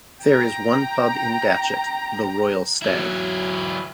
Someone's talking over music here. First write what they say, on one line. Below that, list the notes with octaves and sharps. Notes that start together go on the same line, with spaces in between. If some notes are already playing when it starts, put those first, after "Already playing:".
There is one pub in Datchet, The Royal Stag.
G5 A#5
F#3 E4